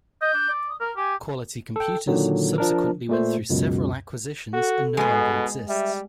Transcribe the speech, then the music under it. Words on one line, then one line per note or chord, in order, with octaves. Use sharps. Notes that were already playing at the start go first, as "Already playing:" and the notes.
Quality Computers subsequently went through several acquisitions and no longer exists.
D#5 G6
D4
D5
D#6
A#4 F6
G4 G#5
A4 G5
A#2 D3 D#3 F#3
F3 D4 A#4
A#2 A3 C5
C#2 F#2 B2
F#4 A4
B2 G#3 B3
G3 E5